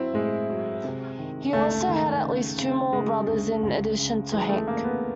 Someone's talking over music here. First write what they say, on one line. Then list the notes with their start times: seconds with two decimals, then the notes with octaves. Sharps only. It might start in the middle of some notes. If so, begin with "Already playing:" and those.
He also had at least two more brothers in addition to Hank.
Already playing: F#3 C4 E4
0.13 A2 G#3
0.49 F#3
0.84 C3
1.19 D#3
1.53 C#2 A3
1.88 D#3
2.23 C#3
2.57 C#3
2.93 C#3 G#3
3.27 D2
3.63 C#2
3.98 C#3
4.32 E3 G#3
4.49 A3
4.67 C#3 A#3
4.84 B3